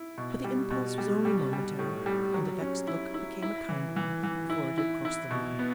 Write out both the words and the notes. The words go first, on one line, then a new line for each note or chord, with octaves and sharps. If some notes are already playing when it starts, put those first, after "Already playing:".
But the impulse was only momentary, and the vexed look became a kind one before it had crossed the room.
Already playing: E4
B2
G3
B2
G3
G3
G3
A2
G3
F#3
C#4
E4
E4
E4
E3
E3
E3
E4
E4
E4
B2
B3